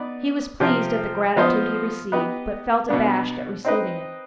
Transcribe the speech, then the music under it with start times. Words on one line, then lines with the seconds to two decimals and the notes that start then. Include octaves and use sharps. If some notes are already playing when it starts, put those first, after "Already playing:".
He was pleased at the gratitude he received, but felt abashed at receiving it.
Already playing: B3 D#4 B4 D5
0.60 C3 F3 C4 F4
1.36 F3 B3 F4 C5 D#5
2.12 B3 D#4 G4 B4 D#5
2.89 B2 B3 D4
3.65 C4 D#4 B4 D#5